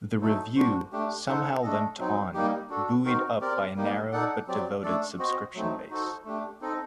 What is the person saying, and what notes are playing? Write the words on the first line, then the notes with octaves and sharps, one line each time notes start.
The "Review" somehow limped on, buoyed up by a narrow but devoted subscription base.
F#3 A3 D#4 A4
G3 D4 F#4 C5
A3 D4 G4
D#4 A4 C5 F#5
A3 D4 A4 D#5
F#3 C4 D#4
G3 A#3 D#4 G4
D4 F#4 A4
C4 D#4 F#4 A#4
C4 G4 A#4 D5
G3 A#3 D#4 G4
D#4 A4 D5 F#5
F#3 C4 G4 D5
A3 D4 A4 D5
C4 F#4 C5 D#5
F#3 A3 C4 D#4
D#4 F#4 A4 C5
A3 D4 G4
C4 D#4 A4 D#5